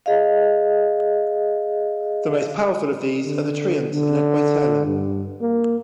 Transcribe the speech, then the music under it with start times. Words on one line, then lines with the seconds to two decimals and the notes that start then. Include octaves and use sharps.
The most powerful of these are the treants led by Turlang.
0.06 G#4 D#5 F5
3.26 D3
3.93 D3
4.86 G2
5.42 A#3